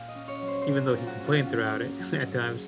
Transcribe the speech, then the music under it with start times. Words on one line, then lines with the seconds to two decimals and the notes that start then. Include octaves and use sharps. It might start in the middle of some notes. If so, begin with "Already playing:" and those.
even though he complained throughout it at times,
Already playing: A#2 F5
0.08 D#5
0.15 C#4
0.28 C#5
0.42 F#3
0.48 C5
0.62 C5
0.67 A#2 A#4
0.87 A#4
0.94 A#2 F4
1.07 F#4
1.20 C#4
1.26 F4
1.46 G#2 F#4
1.73 A#3
1.99 F#3
2.26 G#2